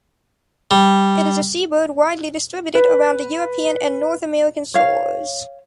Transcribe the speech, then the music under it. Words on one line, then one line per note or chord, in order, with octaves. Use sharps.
It is a seabird widely distributed around the European and North American shores.
G3
B4
C#5 F5